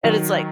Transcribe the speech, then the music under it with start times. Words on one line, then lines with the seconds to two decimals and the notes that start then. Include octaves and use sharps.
and it's like,
0.04 D#3 F#3